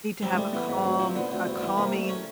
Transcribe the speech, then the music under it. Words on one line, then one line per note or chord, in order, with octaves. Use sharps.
You need to have a calm a calming
G3 C4
G#3
G3 A3
E3 B3
G#2 B3
D2 C4
F3 C4
D3 B3
D2 C4
C2 B3
E3 B3
C3 A#3
C2 A3
C#4